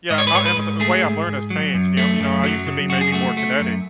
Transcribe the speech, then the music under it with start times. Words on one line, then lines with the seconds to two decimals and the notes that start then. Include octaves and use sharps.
Yeah, my and m the way I've learned has changed, you know you know, I used to be maybe more kinetic
0.10 G#2 D#5
0.18 C#5
0.27 B4
0.34 G#2 C#5
0.46 B4
0.57 G#2
0.80 A3 G#4
1.03 G#2
1.26 G#2
1.50 F#3
1.74 F#2
1.97 A3
2.20 F#2
2.43 F#3
2.66 C#3
2.90 F#2 F#4
3.01 G#4
3.12 A3 F#4
3.37 A3
3.60 F#2